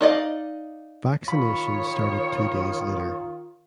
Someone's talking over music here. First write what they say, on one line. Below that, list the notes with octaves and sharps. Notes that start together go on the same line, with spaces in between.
Vaccinations started two days later.
D#4 D5 D#5 F5
D#3 F4 C#5 B5